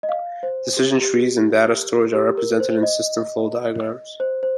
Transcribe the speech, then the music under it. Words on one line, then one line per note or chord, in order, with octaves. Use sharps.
Decision trees and data storage are represented in system flow diagrams.
D#5
F5
C5
G4
G4
G4
A#4
C5
D#5
C5
C5